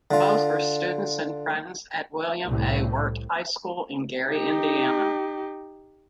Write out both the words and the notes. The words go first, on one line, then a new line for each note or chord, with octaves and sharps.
Both were students and friends at William A. Wirt High School in Gary, Indiana.
D3 F4
C2 A2
D#4 G4